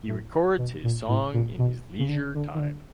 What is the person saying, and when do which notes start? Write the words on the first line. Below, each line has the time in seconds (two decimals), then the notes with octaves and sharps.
He records his song in his leisure time.
0.08 A2
0.58 B2
0.84 A#2
1.08 A2
1.33 A#2
1.58 B2
1.99 C#3
2.09 D3
2.34 D3
2.54 D#3
2.59 D3